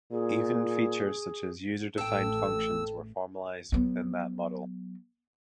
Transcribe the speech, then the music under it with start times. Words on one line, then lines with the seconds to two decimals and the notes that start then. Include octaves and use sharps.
Even features such as user-defined functions were formalized within that model.
0.12 A#2 G#4
1.98 A1 A3 A4 G5 E6
3.72 F#3 B3